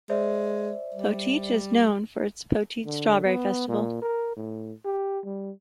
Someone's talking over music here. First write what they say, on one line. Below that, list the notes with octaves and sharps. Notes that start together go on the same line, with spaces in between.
Poteet is known for its "Poteet Strawberry Festival".
G#3 C5 D5 E5
G3
D3
B3
A#2
A#4
A2
G4
G3